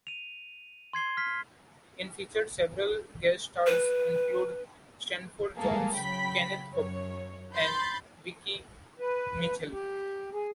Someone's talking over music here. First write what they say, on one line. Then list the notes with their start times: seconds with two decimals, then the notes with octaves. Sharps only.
It featured several guest stars including Stratford Johns, Kenneth Cope and Vicki Michelle.
0.07 D#7 F7
0.93 C6 G#6 C7 G7
1.17 F6 B6
3.67 B4
5.58 G3 G#3 A#3 G#4 A4
5.96 C#3 F#3 G5 B5 B6
6.73 F#2 C#5
7.54 B5 C6 G6 A6
8.99 B4
9.72 G4
10.33 G#4